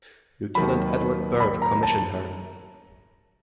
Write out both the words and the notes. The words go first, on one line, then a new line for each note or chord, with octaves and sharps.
Lieutenant Edward Burt commissioned her.
D#2 D#3 F#3 B5
B5
A#5
A5